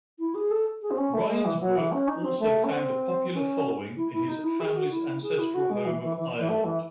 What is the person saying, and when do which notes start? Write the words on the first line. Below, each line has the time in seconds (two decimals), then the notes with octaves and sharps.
Ryan's work also found a popular following in his family's ancestral home of Ireland.
0.19 E4
0.35 G#4
0.51 A4
0.82 G#4
0.91 C4
0.98 C#4
1.14 A3
1.29 G#3
1.45 E3
1.61 F#3
1.76 E3
1.92 C#4
2.08 D#4
2.24 C4
2.40 A3
2.64 C#4
2.71 C4
3.34 C#4
3.97 E4
4.12 E4
4.28 D#4
4.44 E4
4.60 G#4
4.76 F#4
4.91 E4
5.23 G#4
5.39 E4
5.54 F#4
5.70 G#3
5.85 E3
6.02 E3
6.17 E3
6.38 E3
6.49 A3
6.64 E3